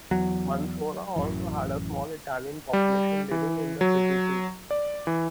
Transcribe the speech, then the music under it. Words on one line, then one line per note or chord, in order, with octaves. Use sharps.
Mansoura also had a small Italian population living in the city too.
E2 F#3
A1 F#2 E3
G3
E3
F#3
D5
E3